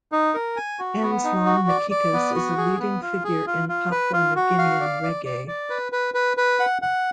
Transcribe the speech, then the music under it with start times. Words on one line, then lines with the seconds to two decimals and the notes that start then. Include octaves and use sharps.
Anslom Nakikus is a leading figure in Papua New Guinean reggae.
0.12 D#4
0.34 A#4
0.57 G#5
0.79 F#4
1.02 B3
1.24 D#4
1.46 F#4
1.68 D5
1.91 D5
2.13 B3
2.35 F#4
2.58 G#4
2.79 B3
3.02 F4
3.24 G#4
3.47 F4
3.69 F4
3.91 B4
4.13 F4
4.36 F#4
4.58 F5
4.80 D5
5.03 D5
5.25 D5
5.48 D5
5.70 B4
5.92 B4
6.14 B4
6.37 B4
6.60 F#5
6.82 F#5